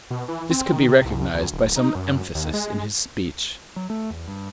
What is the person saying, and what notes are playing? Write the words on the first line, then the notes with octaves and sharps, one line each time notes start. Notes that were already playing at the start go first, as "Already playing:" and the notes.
This could be recognized by some emphasis in his speech.
B2
E3
C4
D#3
C3
C2
D2
D1
D#4
F#2
D#2
G#3
F#3
A3
E2
G2